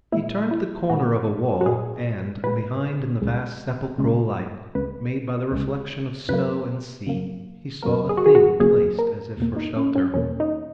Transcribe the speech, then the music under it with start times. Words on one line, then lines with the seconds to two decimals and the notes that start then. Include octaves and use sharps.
He turned the corner of a wall, and, behind in the vast sepulchral light made by the reflection of snow and sea, he saw a thing placed as if for shelter.
0.12 A#2 G#3 E4
0.51 E4
0.90 A#2 G#3 F#4
1.61 F#4
1.66 A#2 G#3 G#4
2.44 A#2 G#3 B4
3.21 C#2 C#3 G#3
3.98 C#2 C#3 G#3
4.75 C#2 C#3 G#3 B4
5.52 C#2 C#3 G#3
6.29 F#2 C#3 F#3 A#3 B4
7.07 F#2 C#3 F#3 A#3
7.83 F#2 C#3 F#3 A#3 A#4
8.09 G#4
8.17 F#4
8.26 G#4
8.35 F#4
8.60 F#2 C#3 F#3 A#3 G#4
8.99 A#4
9.37 E2 B2 A#3
9.56 D#4
9.76 C#4
9.95 C#4
10.14 E2 B2 A#3 C#4
10.40 D#4